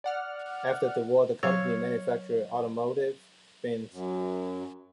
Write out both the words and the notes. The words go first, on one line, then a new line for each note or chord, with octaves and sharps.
After the war, the company manufactured automotive bins.
D5 F#5 F6
F#3 C#5 F5 E6
F#2